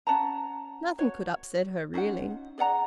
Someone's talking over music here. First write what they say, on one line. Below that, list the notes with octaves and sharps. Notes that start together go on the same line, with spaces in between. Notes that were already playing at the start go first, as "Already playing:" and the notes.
Nothing could upset her, really.
C#4 F#5 A5 A#5
F#4 C#5
C#4 D#4 F4 F#5
G#4 D5 F#5 A#5